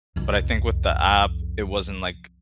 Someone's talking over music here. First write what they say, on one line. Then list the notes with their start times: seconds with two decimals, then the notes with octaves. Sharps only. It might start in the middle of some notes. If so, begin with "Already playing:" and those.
but I think with the app, it wasn't, like,
0.16 C2 F2